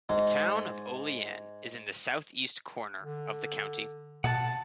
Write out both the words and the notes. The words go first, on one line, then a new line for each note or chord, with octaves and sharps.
The town of Olean is in the southeast corner of the county.
G#2 G#3 D#4
D3
B2 F#5 A5